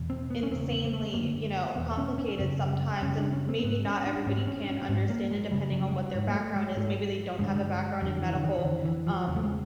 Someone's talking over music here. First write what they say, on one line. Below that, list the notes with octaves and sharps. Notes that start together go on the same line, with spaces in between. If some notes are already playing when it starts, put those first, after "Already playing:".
Insanely, you know, complicated sometimes, and maybe not everybody can understand it depending on what their background is, maybe they don't have a background in medical, um,
Already playing: E2 B2
C4
B3
C#4
E2 C#3 C4
C4
A#3
A3
F#2 D3 A#3
E2 B2 B3
C#4
C#4
C#4
F#2 C#3 C4
F#2 C#3 C#4
D4
C#4
C4
C4
G#2 B3
C#4
D4
G#2 C#4
C4
C#4
D4
C#4
C#4
G#2 C4
A#3
G#3
F#2 C#3 G3
F#3
G#3
G3
G#2
A#3
A3
G#3
G#2 A3
G2 D3 G#3
G3
G#3
F2 D3 G3
E3
D3
D#3
D#3
F2 D3 E3
E3
F3
E2 C#3 F#3
A3
G#3